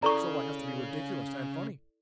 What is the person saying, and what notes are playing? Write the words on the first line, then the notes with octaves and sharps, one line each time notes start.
So I have to be ridiculous and funny.
C#3 E4 A4 D5 A#5 C#6